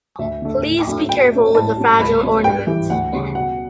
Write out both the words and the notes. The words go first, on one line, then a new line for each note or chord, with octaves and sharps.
Please be careful with the fragile ornament.
D2 E5
D3 A3
A2
F#3 A3 D4
B2 G5
A3 C#4
A2 A5
G3 C#4
C#2 B5
B2 F#3 C#4
G2 G5
E3 G3
D2 F#5
C#3 G3 C#4
B2 F#5